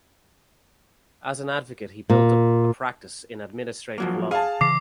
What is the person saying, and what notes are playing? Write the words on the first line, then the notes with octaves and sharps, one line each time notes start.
As an advocate he built up a practice in administrative law.
A#2
F3 F#3 A#3
G#4 F5 A5
C#3 E3 D6 C7